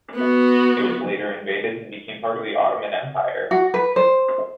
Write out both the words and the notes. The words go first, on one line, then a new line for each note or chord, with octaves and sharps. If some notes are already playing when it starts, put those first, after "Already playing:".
It was later invaded and became a part of the Ottoman Empire.
B3 F#4
F#4
B4
C5